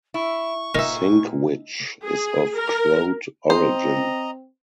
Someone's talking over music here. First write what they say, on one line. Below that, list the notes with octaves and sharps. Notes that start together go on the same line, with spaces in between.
Sinkwich is of Croat origin.
E4 C#6
A#2 D#4 A#4 E5
G#4
A#4
C4 C5 D#5 A#5